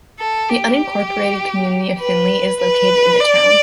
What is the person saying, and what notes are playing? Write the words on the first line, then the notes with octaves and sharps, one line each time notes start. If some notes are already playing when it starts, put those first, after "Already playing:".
The unincorporated community of Finley is located in the town.
A4
G4
B4
B4
D5